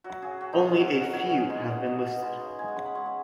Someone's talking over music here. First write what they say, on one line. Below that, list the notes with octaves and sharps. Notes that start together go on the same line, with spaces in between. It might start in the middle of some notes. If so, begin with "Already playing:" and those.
Only a few have been listed.
F#3 F#4
C#3 G#4
F#3 F#4
D#4
C#3
C#4
F#3 F#4
B2 F#5
F#3 C#5
B4
B2
G#4
G#3 D#4
B2 F#5
G#3 D#5
B2
G#3 B5
C#3
G#3 G#5
F#5
C#3 G#5
B5
G#3 C#6
C#6